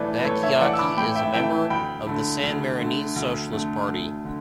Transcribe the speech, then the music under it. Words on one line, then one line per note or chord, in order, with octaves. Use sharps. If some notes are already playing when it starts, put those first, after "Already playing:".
Bacciocchi is a member of the San Marinese Socialist Party.
Already playing: A2 E3 A3 B4 D5
B4
A2 A4 C#5
C#5 E5
E3 A3 D5 F#5
E6
B5 D6
A2 G5 B5
E5 G5
E3 A3 E5 G5
D2 G5 B5
D3 A3
D2
D3 A3
D2
D3 A3
D2
D3